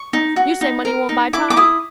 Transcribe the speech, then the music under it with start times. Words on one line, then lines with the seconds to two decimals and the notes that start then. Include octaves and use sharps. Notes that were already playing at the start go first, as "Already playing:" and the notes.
You say money won't buy time?
Already playing: C#6
0.13 D#4
0.36 F#4
0.61 D#4
0.85 A#4
1.09 D#4
1.33 E4 D6
1.50 D6
1.57 E4 D#6